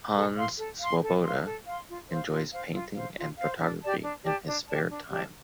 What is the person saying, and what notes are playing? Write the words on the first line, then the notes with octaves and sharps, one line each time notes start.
Hannes Swoboda enjoys painting and photography in his spare time.
A4
F5 C6
A4
F5 C6
A4
F5 C6
A4
F5 C6
F4
C5 F5
F4
C5 F5
F4
C5 F5
F4
C5 F5
D4
G4 D5 A5
D4
G4 D5 A5
D4
G4 D5 A5
D4
G4 D5 A5